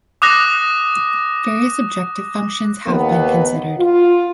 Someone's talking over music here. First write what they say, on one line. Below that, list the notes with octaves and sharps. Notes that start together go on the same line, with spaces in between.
Various objective functions have been considered.
D6 D#6 F#6 A#6
D#2 A#3 B3
F4